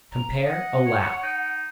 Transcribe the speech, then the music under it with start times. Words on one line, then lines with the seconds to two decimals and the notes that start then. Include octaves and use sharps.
Compare ALLOW.
0.12 A#5
0.46 D#5 F#5
0.86 C#5
1.23 D#4